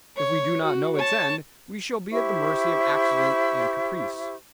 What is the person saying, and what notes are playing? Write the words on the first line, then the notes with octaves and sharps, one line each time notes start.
If we do not know its end, we shall be at the mercy of accident and caprice.
C#5
F#4
C#5 A5
E4 G4 C5 C#6